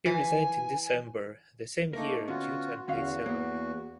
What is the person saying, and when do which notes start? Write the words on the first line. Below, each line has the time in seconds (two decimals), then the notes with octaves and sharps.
He resigned in December the same year due to unpaid salary.
0.06 E3 G#5
1.93 A3 A#3 D#4 A#4
2.28 D2 B3 C#4 F4 F#4
2.88 E2 D3 C#4 F#4 F5
3.26 A#3 B3